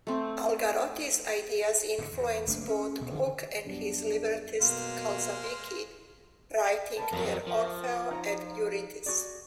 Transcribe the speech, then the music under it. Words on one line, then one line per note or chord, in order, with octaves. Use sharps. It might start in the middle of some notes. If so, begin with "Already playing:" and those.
Algarotti's ideas influenced both Gluck and his librettist Calzabigi, writing their Orfeo ed Euridice.
A3 C4
A2 D3
E2
F#1 A3 A#3 D4
C#4
D2 B2
D3 D#3
F#2 G3 B3 D4
B2 G#3 A#3 C5 F6
A#4 B4 A5
F2 F#3 A#4
F3
D#4 C#5 A#5
F#4 G#4 D5